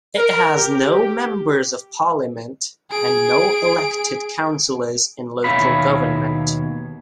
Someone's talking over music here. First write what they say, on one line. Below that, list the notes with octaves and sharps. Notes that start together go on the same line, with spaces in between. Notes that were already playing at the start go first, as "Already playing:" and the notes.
It has no members of parliament and no elected councillors in local government.
A#4
G4
G4
G#4 D7
D#2 B2 C#5 E5 F5 B5